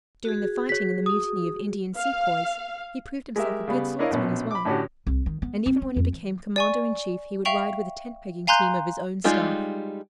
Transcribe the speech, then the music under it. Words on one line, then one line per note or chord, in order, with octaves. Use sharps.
During the fighting in the mutiny of Indian sepoys, he proved himself a good swordsman as well; and even when he became Commander-in-chief, he would ride with a tent-pegging team of his own staff.
F#4 G#4
C#5 B6
D#6
F5
G#3 G4 A#4 E5
C#3 G3 B3
D4 E4 A#4 C#5 D#5 F5
A#1 B2 C#4
B5 D6
A2 D3 C#4 D4 F#4 G4
C2
D#3
B3
C4
C4
F2
E3
D5 G#5 C#6
E5 F5 G5 C#6 F7 F#7
F5 G#5 A#5 C6 F#6 G6
G3 G#3 D#4 F4 G4